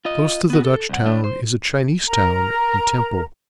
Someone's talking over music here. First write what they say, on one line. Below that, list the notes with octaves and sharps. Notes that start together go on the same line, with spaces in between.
Close to the Dutch town is a Chinese town and temple.
F4 D#5
B3 F#4
A4
C2 F#5
A3 D4
C5
A#4 A#5